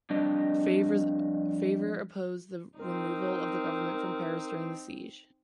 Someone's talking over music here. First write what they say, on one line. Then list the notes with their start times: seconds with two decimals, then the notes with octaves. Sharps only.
Favre opposed the removal of the government from Paris during the siege.
0.10 F2 G3 D4 D#5
2.79 C4 D#4 A#4